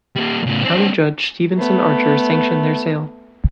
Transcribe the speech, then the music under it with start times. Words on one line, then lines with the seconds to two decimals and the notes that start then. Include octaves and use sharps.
County Judge Stevenson Archer sanctioned their sale.
0.16 G3 A#3
0.47 A2 C#3
0.65 C4 D4
1.57 A3 B3